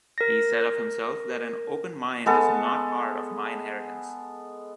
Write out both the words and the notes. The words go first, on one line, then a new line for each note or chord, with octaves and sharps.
He said of himself that an open mind is not part of my inheritance.
A#4 A#6
G#3 B3 A4 A5